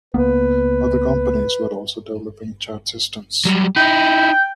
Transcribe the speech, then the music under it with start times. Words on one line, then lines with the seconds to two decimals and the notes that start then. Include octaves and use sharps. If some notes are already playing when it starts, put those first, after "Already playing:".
Other companies were also developing chat systems.
0.14 C#2 A#3 B3 B4
3.45 F#3 G3
3.76 D#4 E4 G5